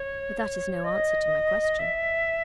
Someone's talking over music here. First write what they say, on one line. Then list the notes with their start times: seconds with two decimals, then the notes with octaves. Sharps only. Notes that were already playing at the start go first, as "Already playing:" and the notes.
But that is no answer to my question.
Already playing: C#5
0.84 D#5
1.79 E5